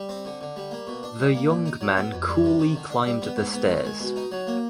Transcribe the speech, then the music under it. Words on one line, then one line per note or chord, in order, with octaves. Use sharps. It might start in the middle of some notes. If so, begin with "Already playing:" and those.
The young man coolly climbed the stairs.
Already playing: G3
C4
D3
D3
G3
A#3
B2
D4
G3
A#3
A#2
D#4
F#3
B3
F2
G3
C3
D#3
D3
D4
G3
B3
G#2
B3
D#3
G#3
B2
D#4
F#3
A#3